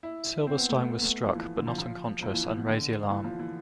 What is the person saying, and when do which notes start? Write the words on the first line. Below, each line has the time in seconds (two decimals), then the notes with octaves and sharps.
Sylberstein was struck but not unconscious, and raised the alarm.
0.03 E4
0.47 C4
0.58 B3
0.69 A3
0.80 B3
0.91 B3
1.01 A3
1.24 F3
1.35 E3
1.56 D3
1.67 F3
1.78 F3
2.23 F3
2.34 E3
2.45 E3
2.55 B2
2.66 D3
3.10 E3
3.24 F3
3.39 E3